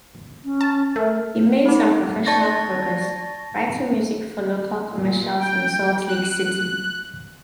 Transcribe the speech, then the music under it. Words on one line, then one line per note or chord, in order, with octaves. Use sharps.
He made some professional progress writing music for local commercials in Salt Lake City.
C#4
A5
A3 A#4
C4 D#4
D5 A5 C#6 A6 A#6
A#2
G5
F#6